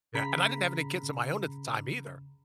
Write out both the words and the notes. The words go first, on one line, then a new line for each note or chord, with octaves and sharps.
Yeah, and I didn't have any kids of my own at the time either,
C#3 A#5 B5 B6